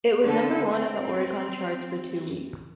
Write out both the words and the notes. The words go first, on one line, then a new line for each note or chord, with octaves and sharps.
It was number one on the Oricon charts for two weeks.
D3 A4
C4